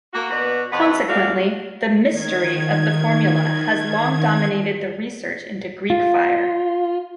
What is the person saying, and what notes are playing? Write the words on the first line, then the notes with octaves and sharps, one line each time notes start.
Consequently, the "mystery" of the formula has long dominated the research into Greek fire.
A#3 F#4
B2 D4 F#4 B4
F2 B2 B4 D#5 F#5
A#2 A3 F#4 D5 F5
D#3 G#6
F4